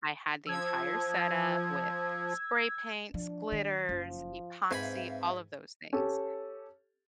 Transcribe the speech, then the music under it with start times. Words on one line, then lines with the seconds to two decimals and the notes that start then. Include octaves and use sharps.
I had the entire setup with spray paints, glitters, epoxy, all of those things,
0.47 F3 E6 G#6
3.14 F3 D4
3.52 D#3
3.89 F#1 F3
4.71 G#2 C4 B4 C5 E5 F5 G#5 B5
5.93 C#4 G4 A4